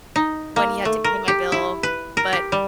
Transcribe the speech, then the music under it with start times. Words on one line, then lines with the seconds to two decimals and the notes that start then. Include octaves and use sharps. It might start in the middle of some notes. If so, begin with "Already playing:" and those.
when he had to pay my bill, but
0.16 D#4
0.56 A#3
0.85 A3
1.04 A#4
1.28 G4
1.52 E4
1.83 B4
2.17 A#4
2.33 G4
2.52 G3